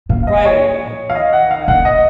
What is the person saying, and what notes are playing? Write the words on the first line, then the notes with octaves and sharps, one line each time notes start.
Right. Oh my god.
A#2 F5
F5
D#5
C#5
F5
D#5
F#5
F5
A#2 F#5
D#5